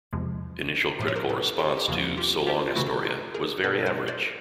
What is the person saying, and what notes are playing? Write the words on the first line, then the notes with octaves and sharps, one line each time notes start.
Initial critical response to "So Long, Astoria" was very average.
E2 C3 F3 G#3
A2 F3 A#3 C5
C#5
A#4 C5
A4 B4
G4 A4
G4
E2 C#3 F3 A#3 F#4 G#4
F4 G4
F4 G4
F4
C#3 E3 A3 E4 F#4
D#4 F4
G#4 A#4
B2 G3 B3 A4 B4
A#4 C5
C5 D5